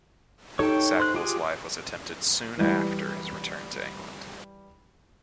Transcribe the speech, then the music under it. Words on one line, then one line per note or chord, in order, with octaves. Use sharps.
Sackville's life was attempted soon after his return to England.
D#4 G4 A4 C#5 G5
C5 F#6
F4 G4 G#4
E3 G3